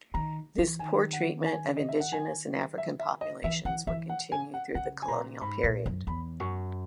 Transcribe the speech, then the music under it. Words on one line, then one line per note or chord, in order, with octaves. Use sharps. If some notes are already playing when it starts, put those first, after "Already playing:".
This poor treatment of indigenous and African populations would continue though the colonial period.
D#3 A#5
E3
D#3 G#5
F#5
G#5
D#5
E5
F#5
G#5
E5
E5
D#5
E3 E5
E3 F#5
E3 E5
F#5
G#5
F#5
C#3 F#5
G#5
A#2 A#5
G#2 B5
A#2
F#2
E2 B5
F#2 C#6